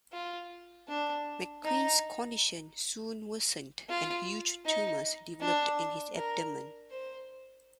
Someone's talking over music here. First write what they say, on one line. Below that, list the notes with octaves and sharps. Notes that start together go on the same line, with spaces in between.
McQueen's condition soon worsened and "huge" tumors developed in his abdomen.
F4
D4
D#4
F4
D#4
D4
A#4
C5